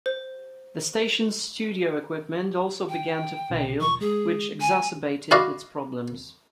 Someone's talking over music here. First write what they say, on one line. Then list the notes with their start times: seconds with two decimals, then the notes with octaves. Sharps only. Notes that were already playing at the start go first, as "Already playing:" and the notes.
The station's studio equipment also began to fail, which exacerbated its problems.
0.06 C5
2.89 G5
3.50 B1 B2 D3
3.80 E1 F3 C#6
4.01 G#3 G#4
4.61 G#5
5.31 E4 F#4 D5 D#5 F5